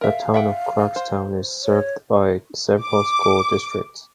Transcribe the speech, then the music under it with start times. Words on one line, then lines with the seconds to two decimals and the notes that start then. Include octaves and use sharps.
The town of Clarkstown is served by several school districts.
0.01 A#4 E5 F5
0.34 E5 F#5 G5
0.96 C5
1.63 C#5
2.84 D6